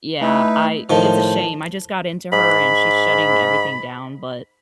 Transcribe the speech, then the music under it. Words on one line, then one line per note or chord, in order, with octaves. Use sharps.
yeah, I it's a shame. I just got into her, and she's shutting everything down. But
A3 D#4 E4 B4
A2 D#3 F3 C5 A5
G#2 B5